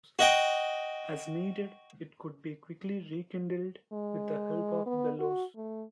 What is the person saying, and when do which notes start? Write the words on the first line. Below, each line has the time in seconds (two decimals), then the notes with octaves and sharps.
As needed it could be quickly rekindled with the help of bellows.
0.19 F#4 D#5 G5
3.92 G#3
4.86 B3
5.19 F#4
5.56 A3